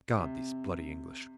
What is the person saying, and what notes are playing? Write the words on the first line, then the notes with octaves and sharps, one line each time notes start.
God, these bloody English!
C3